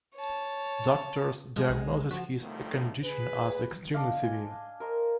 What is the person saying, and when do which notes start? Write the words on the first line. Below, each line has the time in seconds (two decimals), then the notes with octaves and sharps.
Doctors diagnosed his condition as "extremely severe".
0.15 C#5 A5
1.56 F3 G#3
1.69 B1
2.11 F3 F#4
2.42 D2 A2 D#3 F3 G3 A3
3.03 G#4 B4
3.94 D4 D5 D#5 F5
4.23 G#5 C6
4.80 A#4 C5 D#5